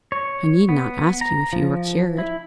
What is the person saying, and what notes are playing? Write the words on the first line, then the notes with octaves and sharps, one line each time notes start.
I need not ask you if you were cured.
C#5
B3
A#5
F3
E4